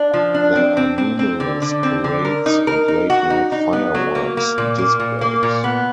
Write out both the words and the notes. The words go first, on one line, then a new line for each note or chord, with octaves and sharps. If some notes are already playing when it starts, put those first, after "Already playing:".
There are numerous parades and late night fireworks displays.
Already playing: D4
F3
D4
C4
C4
C4
C4
D3
D3
C4
D3
A#4
D#4
A#4
D#4
F#4
D#4
D#4
B3
F#3
A#3
A#3
A#2
A#3
A#2
A#3
A#2
B3